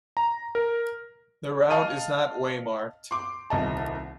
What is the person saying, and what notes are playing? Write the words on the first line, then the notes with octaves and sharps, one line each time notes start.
The route is not waymarked.
A#5
A#4
D#5 F5 A5 F6 D#7
C6 D6
D#1 C2 D#5 A5